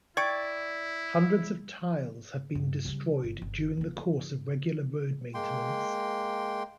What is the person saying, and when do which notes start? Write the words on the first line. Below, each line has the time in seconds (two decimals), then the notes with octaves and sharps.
Hundreds of tiles have been destroyed during the course of regular road maintenance.
0.17 E4 D5 G5 C#6 G#6
2.55 G2
2.85 C#3 G3
3.24 G1
3.42 G1
3.77 E1 A#3
5.34 G#3 A#3 G5 C6